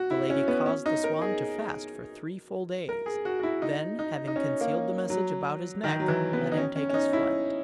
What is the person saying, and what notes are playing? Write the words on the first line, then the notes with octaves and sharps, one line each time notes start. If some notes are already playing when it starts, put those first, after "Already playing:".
The lady caused the swan to fast for three full days; then having concealed the message about his neck, let him take his flight.
Already playing: F#4
E4
C#4
B3
C#4
D#4
A#4
G#4
A#4
G#4
F#4
F#4
E4
D#4
D#4
D#4
C#4
A#3
F#3
D#3
F#3
E3
B3
D#4
C#4
C#4
C#4
D#4
E4